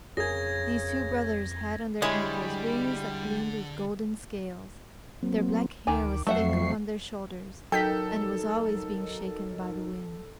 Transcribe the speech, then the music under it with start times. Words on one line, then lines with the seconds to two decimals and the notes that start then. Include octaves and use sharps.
These two brothers had on their ankles wings that gleamed with golden scales; their black hair was thick upon their shoulders, and it was always being shaken by the wind.
0.17 F2 C#3 G#4 A#4 G#6 A#6
2.02 D3 G3 G#3 E4 C#5 D#6
5.23 F#3 A#3 C4
5.87 D2 D#3 G#5 D6
6.27 F2 F3 F#3 A3 E5 F#5 C#6 C7
7.72 F#3 D#4 A4 A#4 G5 G6 B6